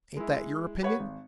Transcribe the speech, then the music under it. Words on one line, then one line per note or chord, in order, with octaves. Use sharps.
Ain't that your opinion?'
G#3 E4
G4 B4 C#5 F#5
G#1